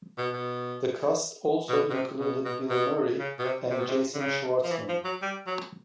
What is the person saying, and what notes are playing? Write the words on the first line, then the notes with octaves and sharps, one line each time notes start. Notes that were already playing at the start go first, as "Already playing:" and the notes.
The cast also included Bill Murray and Jason Schwartzman.
B2
B2
B2
B2
C3
B2
B2
B2
C#3
B2
C3
C3
B2
C3
D3
C#3
F3
E3
F3
F#3
G3
F#3